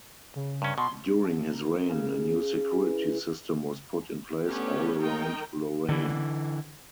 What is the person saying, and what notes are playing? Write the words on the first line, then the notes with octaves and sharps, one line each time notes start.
During his reign a new security system was put in place all around Lorraine.
C#3
G2 C#4
B2 C6
A5
A#4
C#3
E3
A3 B3 C#4 D4 G4
D#3 A3 D#4 A#4 G5
D3 E3